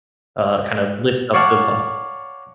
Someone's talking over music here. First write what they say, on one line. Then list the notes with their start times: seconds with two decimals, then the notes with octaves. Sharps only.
uh, kind of, lift up the vibe.
1.34 C#5 D5 F5 F#5 A5